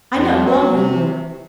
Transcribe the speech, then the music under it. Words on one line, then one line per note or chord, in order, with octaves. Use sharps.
I know one who will.
F2
F#3
C3